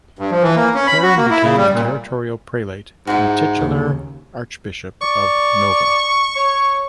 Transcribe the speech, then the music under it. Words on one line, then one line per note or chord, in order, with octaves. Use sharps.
Perrin became the Territorial Prelate and titular archbishop of Nova.
G2
F3
E3
A#3
C#4
B5
F#4
A#3
E4
C#3
G3
A#2
G#2 E4 F#4
D#2 C#3
D5 C#6
C#5